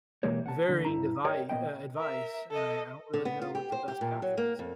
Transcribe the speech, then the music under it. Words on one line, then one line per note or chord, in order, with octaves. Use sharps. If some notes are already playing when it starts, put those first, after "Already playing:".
varying devi uh, advice." And I I don't really know what the best path is.
B2 E3 G#3 A#3 G4 C#5
F#5 A5
D2 B2 D3
G2 E4 A#5
G4 A#4 C#5 D#5 G5
A#2 D#3 B3 D#5 G5
A#4 E5
A4 D#5
D3
B3
F4
G4
C5
G4
A#2
F#3
A#3
F2